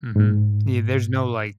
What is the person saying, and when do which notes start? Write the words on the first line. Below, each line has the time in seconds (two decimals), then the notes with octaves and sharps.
mhm, yeah, there's no, like
0.16 G#2